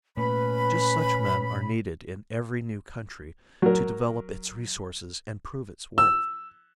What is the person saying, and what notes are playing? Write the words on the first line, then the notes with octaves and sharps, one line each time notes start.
Just such men are needed in every new country to develop its resources and prove its worth.
A#2 A3 C#4 B4 B5
F#3 A#4
E6